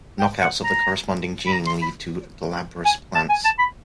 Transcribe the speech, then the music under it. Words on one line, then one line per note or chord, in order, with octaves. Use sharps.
Knockouts of the corresponding gene lead to glabrous plants.
G5
F#5
A#5
B5
A#5
C6
B5
G#5
A5
G#5
A5
B5